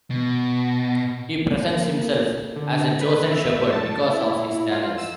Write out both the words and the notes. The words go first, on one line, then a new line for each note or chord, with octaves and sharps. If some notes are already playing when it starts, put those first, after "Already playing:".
He presents himself as a chosen shepherd because of his talents.
B2
A#3
D3
B4
E5
A5
E4
F4
E6